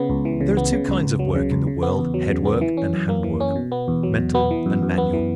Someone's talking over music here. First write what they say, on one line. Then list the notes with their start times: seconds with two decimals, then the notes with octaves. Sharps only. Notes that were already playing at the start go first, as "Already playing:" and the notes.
There are two kinds of work in the world--head work and hand work; mental and manual.
Already playing: C#3 B3
0.10 C#2
0.25 E3
0.41 C#3
0.57 B3
0.72 C#3
0.89 C#2
1.03 C#2
1.19 F#3
1.36 C#3
1.51 C#2
1.67 C#3
1.82 B3
1.98 E2
2.14 F#3
2.30 C#3
2.45 B3
2.61 E3
2.77 C#4
2.93 F#2
3.09 A#3
3.24 E3
3.40 C#4
3.56 B2
3.72 B3
3.88 E2
4.03 F#3
4.19 B2
4.35 B3
4.51 E3
4.66 F#2
4.82 F#2
4.98 B3
5.13 E3